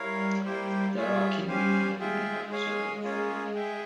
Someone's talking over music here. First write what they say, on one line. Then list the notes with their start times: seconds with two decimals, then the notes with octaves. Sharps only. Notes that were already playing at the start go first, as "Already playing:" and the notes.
There are kiwi living in the reserve.
Already playing: G3 E4 A#4 C#5 F5
0.45 A#3 E4 G4 C5 G5
0.96 F4 G#4 C#5 E5
1.48 C#4 G4 C5 F5 G#5
1.99 G#3 F4 G#4 E5 G5
2.51 G#3 G#4 C#5 F5 G#5
3.03 A#3 C#4 F4 G#4 C#5
3.55 G#4 E5 G5